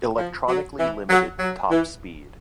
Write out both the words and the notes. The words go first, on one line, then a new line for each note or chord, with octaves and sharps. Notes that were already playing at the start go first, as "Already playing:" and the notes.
Electronically limited top speed.
F3
F#3
E3
F#3
F#3
E3